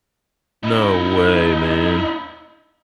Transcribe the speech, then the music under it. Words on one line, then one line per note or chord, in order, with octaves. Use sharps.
No way, man.
D#4 E4